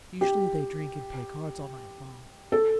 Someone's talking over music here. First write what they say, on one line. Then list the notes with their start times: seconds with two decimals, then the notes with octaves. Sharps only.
Usually they drink and play cards all night long.
0.21 G4
2.52 A4